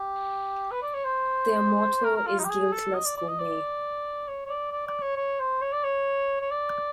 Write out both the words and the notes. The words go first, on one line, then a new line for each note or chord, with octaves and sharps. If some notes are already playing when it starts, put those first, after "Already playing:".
Their motto is Guiltless Gourmet.
Already playing: G4
B4
D5
C#5
C5
A#4
A#4
F4
D#4
G4
G#4
A4
D#5
D5
D5
D#5
D5
C#5
C#5
D5
D5
D5
C#5
C#5
C5
C#5
D5
C#5
C#5
D5